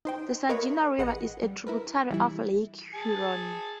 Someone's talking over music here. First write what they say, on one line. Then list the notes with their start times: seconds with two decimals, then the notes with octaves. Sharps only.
The Saginaw River is a tributary of Lake Huron.
0.05 D#4 C5 G5
0.49 A#4 B4 C#5 D#5 F5 B5
0.98 A1 G#4 B4 D#5 F#5 C#7
1.43 G3
1.67 E4 A#4 B4
2.11 E3 G3 E4
2.94 G#4 A5